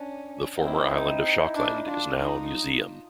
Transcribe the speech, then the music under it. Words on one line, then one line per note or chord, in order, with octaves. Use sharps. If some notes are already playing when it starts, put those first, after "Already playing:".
The former island of Schokland is now a museum.
Already playing: C#4 D4
C4 D#4
E4
D#4
E4
D#4
D#4
E4
D4
D4 F4
D#4